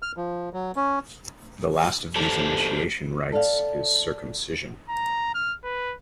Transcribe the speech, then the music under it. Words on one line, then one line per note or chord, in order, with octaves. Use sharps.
The last of these initiation rites is circumcision.
F6
F3
F#3
C#4
G4 A4 C5 D5 A5
A4 D5 E5 F5
A#5
F6
B4